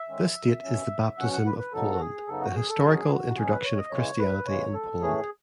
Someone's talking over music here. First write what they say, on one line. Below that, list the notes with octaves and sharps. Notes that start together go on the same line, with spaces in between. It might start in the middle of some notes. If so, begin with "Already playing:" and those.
This date is the Baptism of Poland, the historical introduction of Christianity in Poland.
Already playing: E5
G#2 D#3 G#3 C#4
B2 F#3 C#4
B2 F#3 C#4 F#5
F#5
B4
B4
F#2 C#3 F#3 B3 D#4 A4
F#4
G#4
F#2 C#3 F#3 B3 D#4 A4
F#4
G#4
A4
B2 F#3 C#4 G#4
F#4
B2 F#3 C#4 G#4
B4
C#5
D#5
C#3 E3 G#3 C#5
B4
C#3 E3 G#3 C#5
A4
A2 E3 A3 C#4 G#4